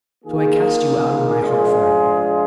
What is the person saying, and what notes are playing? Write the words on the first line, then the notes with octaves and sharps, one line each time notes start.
So I cast you out of my heart for ever.
D#3 A#3 F4 G#4
F3 G#3 D4 F4 G#4